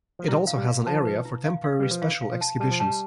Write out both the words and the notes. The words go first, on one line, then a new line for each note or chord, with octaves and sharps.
It also has an area for temporary special exhibitions.
F3
G3 E4
F5
G3
F5
F3 A5
B4
E4
F5
F5
G3 B4
F3
E3 F5
F5
F3
A5
G3 A5
F3
G3 A5